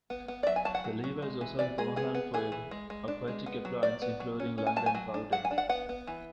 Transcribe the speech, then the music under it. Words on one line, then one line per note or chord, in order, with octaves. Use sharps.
The river is also important for aquatic plants, including Loddon Pondweed.
B3
B3
D5
F#3 E5
G#5
F#3 A5
F#5
F#3
F#3
G#3
E3
E3 D5
G#3 G#4
B3 G#4
B3
E3 G#4
E3
G#3
G#3
D4
G#3
B3
F#3
F#3 D5
B3
F#3
C#4
C#4
G#5
F#3 A5
G#5
F#3
D4
F#3 F#5
G#5
D4
F#5
B3 F#5
B3
E3